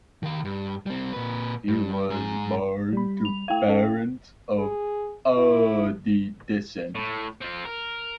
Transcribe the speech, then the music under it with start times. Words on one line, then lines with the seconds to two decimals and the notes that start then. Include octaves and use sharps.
He was born to parents of Adi descent.
0.23 D#3 F5
0.45 G2
0.86 G3 C4
1.13 A#2 B4
1.68 G2
2.10 G#2 G#4
2.93 G3 B5
3.25 F7
3.48 A3 E4 F5 G5 G#6
3.68 C#4 A4
4.58 G#4
5.37 E4
6.95 A2
7.41 C4 F4
7.65 A#4